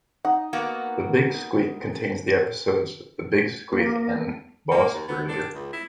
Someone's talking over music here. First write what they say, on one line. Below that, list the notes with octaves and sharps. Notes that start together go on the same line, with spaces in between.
"The Big Squeak" contains the episodes "The Big Squeak" and "Boss Bruiser".
D#4 F#5
A#3 B3 F#4
A#3
A#3
D#2
B3
D4
C#2
E4